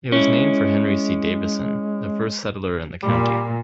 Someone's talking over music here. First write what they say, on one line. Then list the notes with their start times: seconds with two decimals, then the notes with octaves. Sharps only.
It was named for Henry C. Davison, the first settler in the county.
0.12 G#3 C#4 E4
3.03 A#2 G3